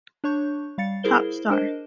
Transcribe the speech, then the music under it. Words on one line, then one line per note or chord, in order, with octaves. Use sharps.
Top Star.
D4 C#5 C#6 G6
G3 F5 A6 C#7
E4 G#4 A#4 C5 G7
D4 A#4 C5 D#5